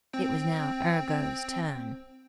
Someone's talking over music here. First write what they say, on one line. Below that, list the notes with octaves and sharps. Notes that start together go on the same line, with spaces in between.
It was now Arago's turn.
C4 G5